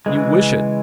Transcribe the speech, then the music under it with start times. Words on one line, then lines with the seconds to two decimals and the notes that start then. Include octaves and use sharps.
You wish it.
0.06 C#3 E3 G#3